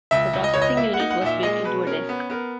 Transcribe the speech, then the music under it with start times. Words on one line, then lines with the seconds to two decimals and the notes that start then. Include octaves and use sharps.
The processing unit was built into a desk.
0.11 C#2 E5
0.34 C#2
0.44 D#5
0.54 C#2 C#5
0.62 D#5
0.77 A#3 E5
0.94 F#5
1.00 D#4
1.10 F#5
1.21 A#2 E5
1.43 G#3 D#5
1.64 B2 B4
1.87 C#4 A#4
2.09 B3
2.30 B3 A#4